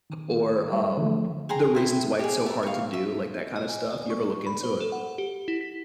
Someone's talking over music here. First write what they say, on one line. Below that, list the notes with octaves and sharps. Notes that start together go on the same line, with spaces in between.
or um, the reasons why it's so hard to do, like, that kinda stuff? You ever look into it?
D#3
G3 E5
D3 E3 F3 G#3 A3
G#4 C5 G5 A#5
E4 C5 G5
G4 G#4
D5 E5
F5 C#6
E5
D#5
G#5
D5
C#6
B5
C5
A4
F#5
G4
E4
B6